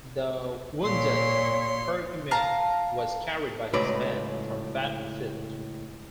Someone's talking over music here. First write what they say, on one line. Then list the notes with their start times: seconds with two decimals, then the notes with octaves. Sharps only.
The wounded Herkimer was carried by his men from the battlefield.
0.84 A#2 C#5 C6
2.31 F5 A5 A#5
3.73 C#2 A2 F#3 B4 D5